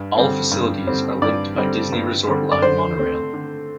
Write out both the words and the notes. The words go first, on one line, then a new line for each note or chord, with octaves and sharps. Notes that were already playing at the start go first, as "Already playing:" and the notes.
All facilities are linked by Disney Resort Line monorail.
Already playing: G2
D3 G3 C4
G2
D3 G3 C4
G2 D5
D3 G3 C4
G2
D3 G3 C4
D5
D3 C5
A3 C4
D3